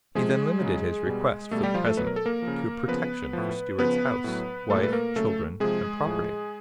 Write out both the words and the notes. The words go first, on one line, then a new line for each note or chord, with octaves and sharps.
He then limited his request, for the present, to a protection for Stewart's house, wife, children, and property.
C3 F3 G#3 G#4
C#3 F#3
B2 G3
B2 G3 A3 A4
G3 G4
F3 F4
A3 A4
B2 F#3 B4
A#4
A4
A#3 A#4
F3
C#3
C#3 F3 B3 B4
A2 F3
C#3 F3 B3 B4
A2 F#3
A#2 G3 A3 A4
B4
A#3 A#4
C#3 F#3 A3 A4
C3 F3 G#3 G#4
A2 F3